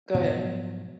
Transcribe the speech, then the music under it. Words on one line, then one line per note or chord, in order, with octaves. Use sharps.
go ahead.
G#2 B2 F3 F#3